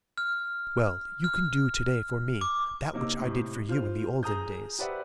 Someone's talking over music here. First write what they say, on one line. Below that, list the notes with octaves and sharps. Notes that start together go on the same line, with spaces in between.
"Well, you can do to-day for me that which I did for you in the olden days."
F6
F6
D6
C3 A#3 D#4 D6 E6
A2 C3
F4 C5 F6
G#4 A#5 D#6 G6
G4 B4 C5 D5 E5 F#5